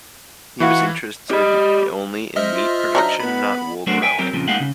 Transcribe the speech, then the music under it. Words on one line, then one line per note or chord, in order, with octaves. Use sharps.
He was interested only in meat production, not wool growing.
E3 E4 F#4 F5
G4 D#5 B5
G#3 C5 D#5 E5 F6
F4
F#3 D4 D#4
B3 B4 B5
F#3 A3 D4 F#4 A#4 C5
E5 G5 G#5
F#3 C4 G4 A#4
F2 A#2 C#3
G#3 A#3 D#4 G4 F5 F#5
C#3